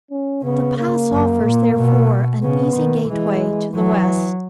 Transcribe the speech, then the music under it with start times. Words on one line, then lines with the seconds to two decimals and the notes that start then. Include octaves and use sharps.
The Pass offers, therefore, an easy gateway to the West.
0.11 C#4
0.44 C#3 B3
0.77 A#3
1.10 F#2
1.43 A#2
1.76 B2
2.43 C#3 B3
2.76 D#3
3.08 E3 G#3
3.75 E3 F#3